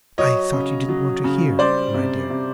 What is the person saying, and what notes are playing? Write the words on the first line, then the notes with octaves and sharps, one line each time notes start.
'I thought you didn't want to hear, my dear.
F#3 C#5 D#5
C#3
F#3
C#3
G3 C5 D5
C3
C3